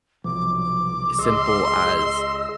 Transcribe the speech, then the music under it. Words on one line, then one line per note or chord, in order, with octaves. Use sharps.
simple as
B1 C3 F3 D6
C#2 G#4 D#5 C6 E6